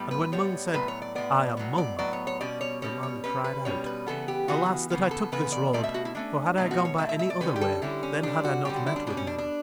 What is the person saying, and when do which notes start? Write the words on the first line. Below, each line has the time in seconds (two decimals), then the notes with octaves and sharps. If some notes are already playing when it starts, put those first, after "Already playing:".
And when Mung said: "I am Mung!" the man cried out: "Alas, that I took this road, for had I gone by any other way then had I not met with Mung."
Already playing: A2 G3 B3
0.11 B4
0.32 A2 G3 B3 C#5
0.73 A2 F#3 B3 B4
0.88 C#5
1.02 D5
1.15 A2 F#3 B3 D5
1.57 A2 F#3 B3
1.78 D5
1.99 A2 F#3 B3 D5
2.13 C#5
2.27 C#5
2.40 B2 G3 C#4 D5
2.61 C#5
2.82 B2 G3 C#4 C#5
3.03 C#5
3.24 B2 G3 C#4 B4
3.44 B4
3.65 B2 G3 C#4 C#5
3.86 B4
4.07 C#3 E3 B3 A4
4.28 G4
4.48 C#3 E3 B3 F#4
4.90 C#3 E3 B3
5.11 A4
5.32 C#3 E3 B3 B4
5.52 D5
5.73 B2 A3 C#4 D5
5.84 E5
5.94 F#4
6.05 E4
6.15 B2 A3 C#4 D4
6.57 B2 A3 C#4 E4
6.71 F#4
6.85 C#5
6.98 B2 A3 C#4 E5
7.09 E5
7.19 E5
7.30 D5
7.40 D3 G3 C#4 B4
7.56 G4
7.61 A4
7.82 D3 G3 C#4 E4
8.03 C#4
8.23 D3 G3 C#4 D4
8.45 F#4
8.65 D3 G3 C#4 G4
8.76 F#4
8.87 E4
8.96 D4
9.07 B2 G3 C#4 D4
9.17 C#4
9.27 D4
9.38 D4